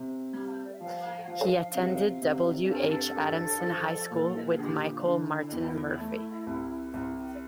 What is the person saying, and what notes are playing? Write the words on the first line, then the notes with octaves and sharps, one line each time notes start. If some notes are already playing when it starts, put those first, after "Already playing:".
He attended W. H. Adamson High School with Michael Martin Murphey.
Already playing: C3
G3
D5
E5
F3 F5
F3
C3
C3
G2 A4
A#4
A4
G2
F3
A#2
E4
F4
D3 G4
F4
D3
E4
E2
A3
C2
C2